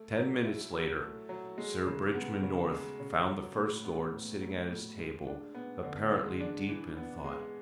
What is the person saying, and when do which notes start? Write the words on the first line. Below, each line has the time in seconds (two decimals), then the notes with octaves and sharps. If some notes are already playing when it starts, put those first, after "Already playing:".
Ten minutes later Sir Bridgman North found the First Lord sitting at his table, apparently deep in thought.
Already playing: A3
0.16 F#3
0.44 E4
0.73 F#3
1.00 A3
1.29 F#3
1.58 G#3
1.86 C#3
2.14 B3
2.43 C#3
2.71 G#3
3.00 C#3
3.28 F#3
3.56 A2
3.85 B3
4.13 A2
4.42 F#3
4.69 A2
4.98 G#3
5.27 D4
5.54 B3
5.83 D3
6.12 G#3
6.40 D4
6.69 E3
6.97 B3
7.24 G#3